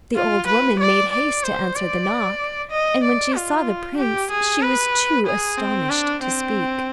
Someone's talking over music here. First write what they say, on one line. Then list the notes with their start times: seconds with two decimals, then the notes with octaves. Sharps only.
The old woman made haste to answer the knock and when she saw the prince she was too astonished to speak.
0.15 F4
0.47 B4
0.80 D5
1.11 D5
1.44 C5
1.76 D5
2.71 D#5
3.03 D5
3.34 F4
3.98 G4
4.31 G#4
4.62 B4
5.26 G#4
5.58 C4
5.90 D4
6.23 C4